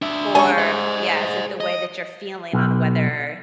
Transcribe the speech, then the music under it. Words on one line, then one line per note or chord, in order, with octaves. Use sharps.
or yeah, is it the way that you're feeling on whether
D4 E5
G3 G#3 C#4 G#5 C#6
C5 D#5
D#5
B1